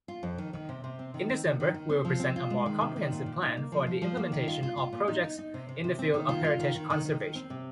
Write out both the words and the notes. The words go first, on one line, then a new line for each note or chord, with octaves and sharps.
In December, we will present a more comprehensive plan for the implementation of projects in the field of heritage conservation.
F4
F2
D#3
D#3
C3
C3
C4
D#3
C4
D#3
D#3
D#3
C4
F3
C4
F4
G#3
D#3
C3
D#3
A#2
A#2
D#4
A#3
F3
F3
F3
A#3
D#3
F4
F4
F4
A#2
D#4
D#4
D#4
C3
C3
C3
C4
D#3
F4
F4
D#3
D#3
D#3
D#3
D#3
C4
C3